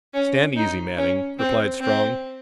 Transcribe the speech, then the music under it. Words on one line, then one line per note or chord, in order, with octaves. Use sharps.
"Stand easy, Manning," replied Strong.
C#4
D#4
C#4
C4
C4